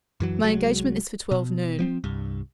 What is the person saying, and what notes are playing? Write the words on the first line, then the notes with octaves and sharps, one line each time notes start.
My engagement is for twelve noon.
F#2 E3 F#3
C2 F#3 G#3
B2
F3 A#3 C4
C2 G2